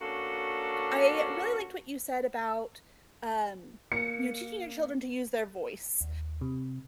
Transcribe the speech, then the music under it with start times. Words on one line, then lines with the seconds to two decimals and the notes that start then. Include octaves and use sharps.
I really liked what you said about, um, you know, teaching your children to use their voice.
0.01 A#3 C#4 D4 F#4 A4
3.92 A#3 C#7
6.01 D#2
6.41 C3